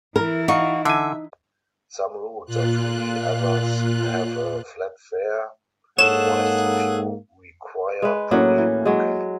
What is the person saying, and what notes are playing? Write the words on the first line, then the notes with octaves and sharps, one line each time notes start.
Some routes are free, others have a flat fare, whilst a few require pre-booking.
E3 E4 A#4
D#4 F#4 F5 C#6
D3 E5 G#5
A#2 F4 F#6
G#2 A#3 G#4 A4 C#5 F#5 E7
G#3 B4
A2 F#3 A#3 C#4 F#5
E3
F#3 G#3